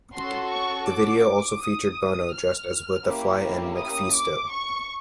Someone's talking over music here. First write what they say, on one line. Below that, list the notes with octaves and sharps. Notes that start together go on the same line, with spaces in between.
The video also featured Bono dressed as both "The Fly" and "MacPhisto".
C#4 F#4 A4 C6
C#6
D6
D#6
F6
A#3 C#4 E4 G4
D#6
D6
C#6